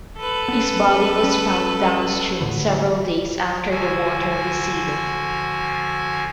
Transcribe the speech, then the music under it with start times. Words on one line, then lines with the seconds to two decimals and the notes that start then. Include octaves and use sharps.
His body was found downstream several days after the water receded.
0.18 A4 B4
0.48 B3 C#4
1.23 G3 C#4
2.40 A2 D3 E3
3.71 D3 F3 F#4 G#5 G#6